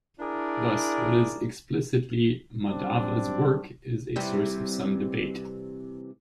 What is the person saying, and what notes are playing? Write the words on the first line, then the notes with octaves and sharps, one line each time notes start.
Thus, what is explicitly Madhava's work is a source of some debate.
D4 E4 G#4 A#4 D5
F#2 G3 C4 D4
C3 E3 G3